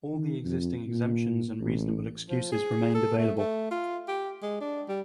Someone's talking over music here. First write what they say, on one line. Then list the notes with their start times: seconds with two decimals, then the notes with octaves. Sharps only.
All the existing exemptions and reasonable excuses remained available.
0.14 D#3
0.45 F2
0.88 A#2
1.60 A1
2.29 F3
2.52 G#4
2.94 A4
3.18 A3
3.38 A3
3.71 F4
4.08 G4
4.42 G#3
4.60 D4
4.88 G3